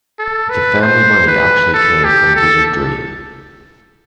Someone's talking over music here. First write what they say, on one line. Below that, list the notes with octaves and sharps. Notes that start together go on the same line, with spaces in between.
The family money actually came from wizardry.
A4
B4
C5
B4
A4
G4
A4